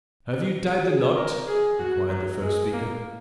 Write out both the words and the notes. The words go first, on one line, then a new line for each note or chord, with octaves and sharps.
"Have you tied the knot?" inquired the first speaker.
G#4
A#4
G#4
F#4
F#3
G#3
A#3